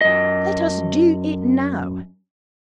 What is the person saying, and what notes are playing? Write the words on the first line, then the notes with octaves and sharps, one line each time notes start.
'Let us Do It Now.
F#2 D#5